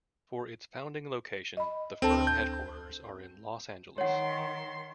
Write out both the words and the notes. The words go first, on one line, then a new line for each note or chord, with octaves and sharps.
For its founding location, the firm headquarters are in Los Angeles.
D#5 B5
D2 C4 A4 A5
G6
D#3 C#5 F#5 C6